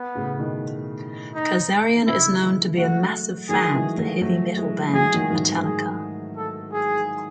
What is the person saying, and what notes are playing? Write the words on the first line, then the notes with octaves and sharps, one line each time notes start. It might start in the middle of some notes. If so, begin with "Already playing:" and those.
Kazarian is known to be a massive fan of the heavy metal band Metallica.
Already playing: B3
A2 C#3
B2 D#3
D#4
D#3
C#3 E3 E4
E3 G#3
F#3 A3 F#4
D#3 F#3 G#4
E3 G#3
F#3 A3
F#3 A3
E3 G#3
F#3 G#4
G#3
D#3 F#3
G#2
G#4
A4
G#4